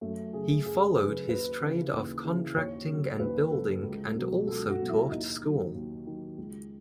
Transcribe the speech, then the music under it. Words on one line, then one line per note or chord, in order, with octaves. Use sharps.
He followed his trade of contracting and building and also taught school.
F#2 A3
C#3 F#3 G#4
F#2 G#4
C#3 F#3 B4
D#2 B4
C#3 E3
D#2
C#3 E3
D#2 C#5
C#3 F#3
D#2 B4
C#3 F#3 A4
C#2
B2 F#3
C#2 A4
F#4
B2 F#3
E4
D#2 D#4
D#3 F#3
D#2
D#3 F#3
C#2